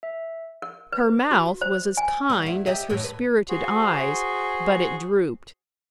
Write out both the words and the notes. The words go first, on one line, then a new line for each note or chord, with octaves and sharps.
Her mouth was as kind as her spirited eyes, but it drooped.
E5
A#4
B4
F#4
C5
G#5
G3
E2 E4
G4 D#5 E5
F#2 A2 E3
B4
F#4 G#4 C5